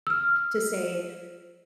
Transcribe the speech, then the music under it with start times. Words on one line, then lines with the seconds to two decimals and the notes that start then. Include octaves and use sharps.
to say,
0.07 E6 F6